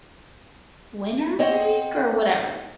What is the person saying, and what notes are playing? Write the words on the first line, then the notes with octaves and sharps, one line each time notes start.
winter break or whatever.
C4 C#5 D#5 F#5